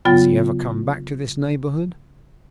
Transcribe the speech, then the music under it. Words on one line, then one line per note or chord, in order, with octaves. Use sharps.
"Does he ever come back to this neighborhood?"
C#3 F#3 B3 F4 G5 A6